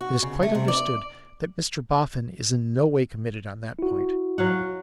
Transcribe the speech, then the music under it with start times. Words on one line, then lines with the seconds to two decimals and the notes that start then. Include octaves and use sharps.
It is quite understood that Mr Boffin is in no way committed on that point.
0.01 F#4
0.22 C#3
0.43 A3
0.55 C3
0.68 D5
3.79 E4 F#4
4.38 F#3 F5 F#5